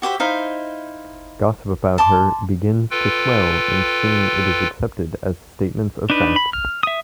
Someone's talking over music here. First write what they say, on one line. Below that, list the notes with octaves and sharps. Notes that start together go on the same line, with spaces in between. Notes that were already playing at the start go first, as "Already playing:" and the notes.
Gossip about her begins to swell and soon is accepted as statements of fact.
F#4 G4 C5 E5
D#4 E4 C5 F5
A5 C6 D6
F4 A4 B4 G5
D4 D#4 B4
B5
F6
E5 D#6